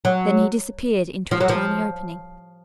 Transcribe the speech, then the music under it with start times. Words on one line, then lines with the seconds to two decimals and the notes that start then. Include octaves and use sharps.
Then he disappeared into a tiny opening.
0.05 F#3
1.31 F3
1.40 F#3
1.49 F3